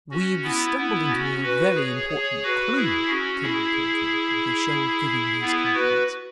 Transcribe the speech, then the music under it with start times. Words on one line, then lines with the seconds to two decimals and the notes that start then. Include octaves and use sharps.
"We've stumbled into a very important clue," Kennedy told her, with a show of giving her his confidence.
0.11 C#4 F#4
0.44 B3 E4
0.77 B3 E4
1.10 C#4 F#4
1.43 F#4 B4
1.76 G#4 C#5
2.09 G#4 C#5
2.43 F#4 B4
2.77 E4 G#4
3.09 C#4 F#4
3.43 E4 G#4
5.41 B3 E4
5.75 F#4 B4